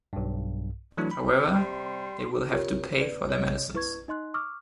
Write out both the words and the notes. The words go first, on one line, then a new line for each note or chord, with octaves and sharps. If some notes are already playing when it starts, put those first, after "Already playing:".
However, they will have to pay for their medicines.
B1 G2
E3 F#3 A3 D4 E4
B5
C3 G3 C6
F4 G4 A#4 C#5
B4 D5
C#5 D#5
E4 B4 C#6 G#6
D#4 D#5 C6 F#6
C#6 D6 E6 F6